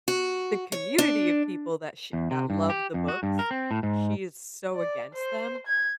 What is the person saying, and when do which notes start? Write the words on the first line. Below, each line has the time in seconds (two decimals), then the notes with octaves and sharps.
the community of people that sh that loved the books, she is so against them
0.08 F#4
0.72 C#5
0.98 D4
2.13 E2
2.31 C3
2.50 G2
2.70 G4
2.94 F2
3.08 F#4
3.23 G2
3.39 A#4
3.51 C4
3.71 A2
3.83 G#2
4.75 D5
5.14 C5
5.67 G#6